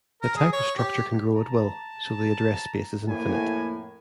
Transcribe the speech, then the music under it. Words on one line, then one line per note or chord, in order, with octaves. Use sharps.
The type of structure can grow at will, so the address space is infinite.
A#4
G#4
C#5
G4
A5 A#5
F2 A2 A#3 E4 G#5